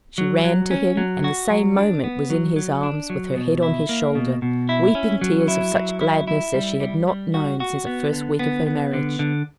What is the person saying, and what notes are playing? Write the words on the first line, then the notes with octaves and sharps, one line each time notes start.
She ran to him, and the same moment was in his arms, with her head on his shoulder, weeping tears of such gladness as she had not known since the first week of her marriage.
F#3
F#3
C#4
F#3
F#4
F#3
D4
B3
F#3
F#3
D4
F#3
B2
E4
A#3
B2
B2
E4
C#4
F#3
E4
F#3
E4
E4
G3
G3
G3
F#4
F#4
B3
D3
B3
B3
D3
D3